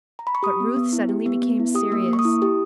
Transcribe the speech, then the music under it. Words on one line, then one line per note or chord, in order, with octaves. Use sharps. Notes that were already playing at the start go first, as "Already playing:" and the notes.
But Ruth suddenly became serious.
A#5
B5
C#6
G4 D#6
B3
B3
E4
G4
B3
B3
E4
G4 D#6
A#3
A#3
C#6
D#6
E4
G4